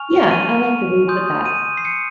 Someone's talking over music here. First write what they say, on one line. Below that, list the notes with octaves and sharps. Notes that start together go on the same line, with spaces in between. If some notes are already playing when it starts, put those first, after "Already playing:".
Yeah. I like the way you put that.
Already playing: G#5 C#6 F6 F7
D#7
G#5 C6 D#6 G6
D#7
C7
C#7